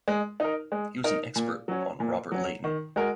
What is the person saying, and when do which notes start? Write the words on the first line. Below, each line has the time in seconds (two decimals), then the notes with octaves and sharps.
He was an expert on Robert Leighton.
0.08 G#3
0.40 D#4 A#4
0.72 G#3
1.04 D#4 A#4
1.36 A#2
1.68 F#3 C#4
2.00 A#2
2.32 F#3 C#4
2.64 D#3
2.96 G#3 F#4 A#4